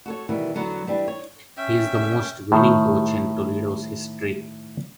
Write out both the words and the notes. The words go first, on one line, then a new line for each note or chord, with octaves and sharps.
He is the most winning coach in Toledo's history.
F#4 A4 C#5
B2 D#3 E3 G3
E2 D3 F#3 B3
E3 G3 D4
C#5
C#4 E5 G5
A2 D#3